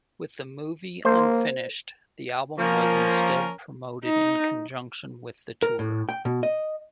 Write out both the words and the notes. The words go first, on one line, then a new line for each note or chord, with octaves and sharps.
With the movie unfinished, the album was instead promoted in conjunction with the tour.
A#3 C5
F3 A#3 C#4 A#4
D#4
A#4
A2
G5
B2
D#5